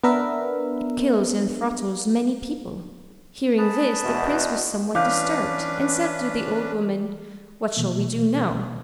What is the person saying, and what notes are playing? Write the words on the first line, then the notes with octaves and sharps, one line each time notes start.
It kills and throttles many people." Hearing this, the prince was somewhat disturbed, and said to the old woman: "What shall we do now?
B3 D4 A#4 B4 E5
G#4 B4 A5
E2 B2
E3 C#4 D4 B4 F5 D6 F#6 G6
B2 E3 A#3